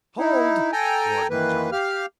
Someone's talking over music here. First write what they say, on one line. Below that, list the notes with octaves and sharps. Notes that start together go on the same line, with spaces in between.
"Hold!" roared Little John.
D#4 E4
A4 G5 G#5 A#5
D#3 E3 A#3 B4
G4 F5 F6